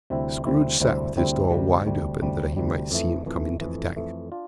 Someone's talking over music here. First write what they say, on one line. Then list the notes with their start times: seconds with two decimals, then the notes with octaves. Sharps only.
Scrooge sat with his door wide open, that he might see him come into the Tank.
0.10 D2 C3 G3 C4 E4
0.45 D2 C3 G3 C4 E4
0.80 D2 C3 G3 C4 E4
1.16 D2 C3 G3 C4 E4
1.50 D2 C3 G3
1.85 D2 C3 G3
2.21 D2 C3 G3
2.56 D2 C3 G3
2.91 F2 E3 A3
3.26 F2 E3 A3
3.61 F2 E3 A3
3.96 F2 E3 A3
4.32 D4 F4